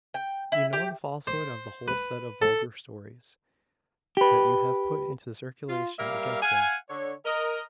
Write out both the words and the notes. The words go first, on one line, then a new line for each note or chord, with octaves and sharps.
You know the falsehood of the whole set of vulgar stories that you have put into circulation against him.
G5
E4
G4
C5
B4
A4
G4 B4
F4
G3 A#3 A#4 E5 F5
F5 F#5 G#5
D3 C#5
A#4 D#5